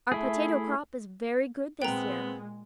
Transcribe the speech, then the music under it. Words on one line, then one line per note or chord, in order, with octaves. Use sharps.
Our potato crop is very good this year.
A3 E4 G#4
A#2 G#3 B3 C4 G5 A#5